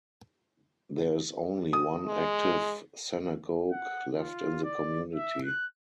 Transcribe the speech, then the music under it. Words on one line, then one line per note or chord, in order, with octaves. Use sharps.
There is only one active synagogue left in the community.
D#6
G#3
F#5
F4
D5
E5
F#6